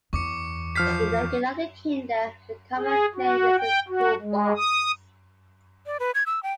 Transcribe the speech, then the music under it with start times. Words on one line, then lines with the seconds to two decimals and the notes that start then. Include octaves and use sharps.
In the United Kingdom the common name is a "cool-box".
0.13 E2 C#6 D6 C#7
0.75 F3 F6 G6 B6 C7
2.78 G#4
3.15 F#4
3.58 G5
3.88 F#4
4.22 G#3
4.57 D#6
5.86 D5
6.00 B4
6.15 G#6
6.26 E6
6.43 G5